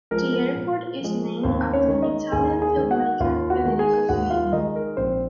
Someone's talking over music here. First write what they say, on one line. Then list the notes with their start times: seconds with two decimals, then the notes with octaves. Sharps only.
The airport is named after Italian filmmaker Federico Fellini.
0.11 F3 G#3 A#4
0.33 A#4
0.55 A#2
1.00 F3 G#3
1.43 D#2 C4 C5
1.73 C#4 C#5
1.88 D#3 G#3
2.02 D#4 D#5
2.32 D#2 G#4 G#5
2.62 G#4 G#5
2.77 D#3 G#3
2.91 F#4 F#5
3.20 D#2 F4 F5
3.50 F#4 F#5
3.64 D#3 G#3
3.79 G#4 G#5
4.09 D#2 F#4 F#5
4.30 F4 F5
4.52 D#3 G#3 D#4 D#5
4.76 A#4
4.97 A#1 C4 C5